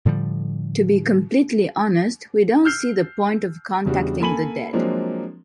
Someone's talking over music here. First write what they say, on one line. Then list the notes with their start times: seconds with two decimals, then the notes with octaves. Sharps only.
To be completely honest, we don't see the point of contacting the dead.
0.05 A2 D3 F3 G3
2.65 E6 F6 G6 C7
3.85 E2 C#3 G3 D4 F#4
4.20 A#3 A4 G#5 B5 D#7 F#7
4.73 F3 F#3 G#3 A#3 C4 D4